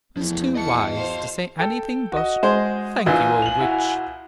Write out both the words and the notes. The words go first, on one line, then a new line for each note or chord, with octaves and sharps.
He was too wise to say anything but, "Thank you, old witch."
E2 F3 A3 E4
D#5 A5 C#7
C5 F5
A4 G5
F#4 D#5
G#3 C5
A#1 A#2 E3 G#5
F7 F#7
E4 F#4